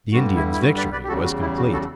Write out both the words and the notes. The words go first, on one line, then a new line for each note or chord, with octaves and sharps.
The Indians' victory was complete.
G2 D3 G3 F#4
E4
E4
F#4
B4 D5
B4 D5
G4
E2 C#3 G3 F#4 A4
F#4
E4
F#4
F#4 A4